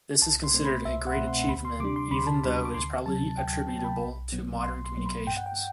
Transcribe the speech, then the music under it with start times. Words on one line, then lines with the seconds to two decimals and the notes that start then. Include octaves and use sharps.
This is considered a great achievement even though it is probably attributable to modern communications.
0.22 C2 A5
0.44 C6
0.54 B2 A3 C4
0.65 B5
0.85 C2 E5
1.07 F#5
1.17 B2 A3 C4
1.27 C6
1.48 D2 B5
1.65 C6
1.80 C3 D6
1.83 G3 D4
1.96 C6
2.11 D2 B5
2.27 A5
2.43 C3 G3 D4 B5
2.65 D6
2.74 D2 C6
3.06 C3 F#3 A5
3.37 D2 G5
3.54 G5
3.69 C3 F#3 A5
3.79 A5
3.84 B5
4.01 B1
4.32 B2 F#3 B3
4.64 B1 C6
4.85 C6
4.95 B2 F#3 B3
5.06 B5
5.27 G2 G5
5.37 F#5
5.46 G5